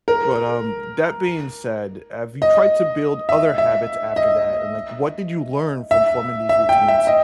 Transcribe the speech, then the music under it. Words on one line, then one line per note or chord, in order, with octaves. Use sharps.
But, um, that being said, have you tried to build other habits after that? And, like, what did you learn from forming these routines?
A#4
D#5
E5
E5
D#5
E5
E5
G5
E5
D#5